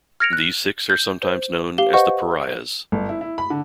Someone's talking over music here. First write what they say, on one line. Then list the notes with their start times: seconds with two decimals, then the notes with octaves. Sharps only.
These six are sometimes known as the pariahs.
0.20 F6 G#6 A#6 C#7 D7 F7
0.33 F#6
0.90 G6
1.23 C5
1.78 G4 F5 G7
1.94 B4 C5 D#5 F#5 C#6
2.92 G1
3.09 E4
3.21 E4
3.38 B5
3.50 D3